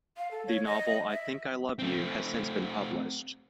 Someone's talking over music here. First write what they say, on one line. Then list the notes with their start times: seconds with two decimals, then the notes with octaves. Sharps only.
The novel "I Think I Love You" has since been published.
0.18 F5
0.31 A4
0.47 C#5
0.66 D#5
1.11 E5
1.79 A3 C4